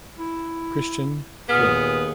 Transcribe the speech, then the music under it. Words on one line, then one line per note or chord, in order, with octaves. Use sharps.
Christian Frid.
E4
D#2 A#2 B3 G#4 D#6 F6 B6